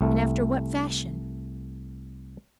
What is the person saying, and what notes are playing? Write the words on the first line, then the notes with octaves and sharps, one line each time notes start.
"And after what fashion?"
C2 A3